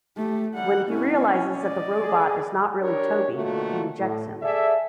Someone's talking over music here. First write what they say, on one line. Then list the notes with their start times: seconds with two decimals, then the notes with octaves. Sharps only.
When he realizes that the robot is not really Toby, he rejects him.
0.16 A3 G4
0.54 A1 F#2 G3 F#5
0.89 B2 C4 C#4 E4
1.58 D5 D#5
2.00 G#4
2.81 D4 G4 A#4 C#5
3.34 B2 D3 A3 A#3 F4 F#4
3.98 A2
4.42 G#4 A4 D5 E5